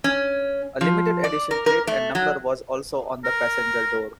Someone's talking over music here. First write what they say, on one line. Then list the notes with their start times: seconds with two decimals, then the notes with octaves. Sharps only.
A limited edition plate and number was also on the passenger door.
0.04 C#4
0.81 F3
1.24 D5
1.51 A#4
1.66 A#4
1.87 A3
2.15 F#3
3.24 A#4